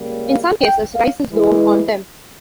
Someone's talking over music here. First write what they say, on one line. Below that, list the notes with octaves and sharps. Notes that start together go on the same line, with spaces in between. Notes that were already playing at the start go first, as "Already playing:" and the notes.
In some cases, rice is grown on them.
Already playing: C#2 C#3 G3 A#3
F5
G5
F5
G2 E3 G#3